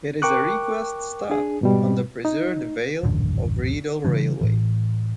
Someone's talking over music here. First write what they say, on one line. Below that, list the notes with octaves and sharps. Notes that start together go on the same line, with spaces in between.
It is a request stop on the preserved Vale of Rheidol Railway.
A#4 G5 C#6 D6 F#6
D4 G#4
G#2 B2 G3
D#4
D#1 A1 F#2 D3
C#3 E3 G3 D4
A2 E3